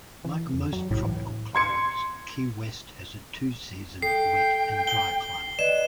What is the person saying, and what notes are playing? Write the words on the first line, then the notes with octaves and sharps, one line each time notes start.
Like most tropical climates, Key West has a two-season wet and dry climate.
E3
F2
F#3
C2 A2
E3
C6 G#6 C#7
A4 G5 C7
G7
B4 D5 D#5 E7